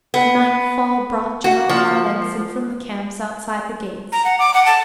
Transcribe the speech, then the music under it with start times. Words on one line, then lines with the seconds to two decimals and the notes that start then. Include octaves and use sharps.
Nightfall brought General Marlanx in from the camps outside the gates.
0.14 B3
1.44 F#4
1.69 F3
4.12 A#5
4.25 F#5
4.39 D6
4.54 F#5
4.66 A5